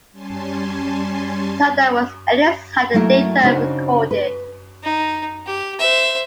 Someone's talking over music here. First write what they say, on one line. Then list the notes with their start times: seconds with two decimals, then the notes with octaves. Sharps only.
Seldom was any site data recorded.
0.11 G3 C#4 G#5 A5 C6
2.94 F#3 A3 A#3 E4 A#4
3.43 C#3 D4 D#4 F#4 C5
4.11 B4
4.84 D#4
5.47 G4
5.79 C5 E5